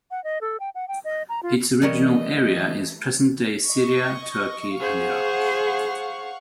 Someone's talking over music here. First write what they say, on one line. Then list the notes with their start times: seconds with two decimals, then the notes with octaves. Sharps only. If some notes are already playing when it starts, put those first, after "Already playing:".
Its original area is present-day Syria, Turkey, and Iraq.
0.11 F#5
0.24 D#5
0.41 A4
0.60 G5
0.75 F#5
0.88 G5
1.04 D#5
1.29 A#5
1.43 F4
1.82 E3 G3 A3 A#4 C#5 D#5
3.67 D#5 C#6
4.80 G#4 C5 F5 F#5 C#6